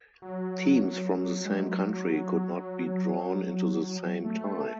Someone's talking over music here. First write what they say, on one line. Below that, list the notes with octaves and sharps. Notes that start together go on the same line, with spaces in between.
Teams from the same country could not be drawn into the same tie.
F#3
G#3
F#3
A3